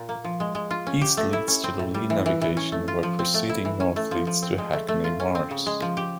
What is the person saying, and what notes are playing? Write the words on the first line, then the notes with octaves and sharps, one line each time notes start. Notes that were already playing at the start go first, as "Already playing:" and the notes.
East leads to the Lee Navigation where proceeding north leads to Hackney Marshes.
Already playing: A#2
A#3
F3
G#3
G#3
F4
C#4
G4
A3
E4
C#4
C4
A2
G3
E3
E3
E3
C#4
A3
F4
F3
C4
A3
E4
E3
C#4
A3
F3
F3
C4
G#3
A3
A3
F4
C#4
C4
C#3
G#3
F3
G4